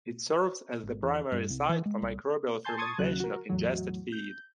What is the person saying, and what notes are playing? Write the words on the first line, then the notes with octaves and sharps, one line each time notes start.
It serves as the primary site for microbial fermentation of ingested feed.
G#1
E2
G2
C2
E3
G#3
C2
G#5 A5 C6 G6
A5 C6 C#6 D#6 G#6 A6
D#2 C#3 F#3 F#6
F#4 A#4
E2 A2 F#3
G6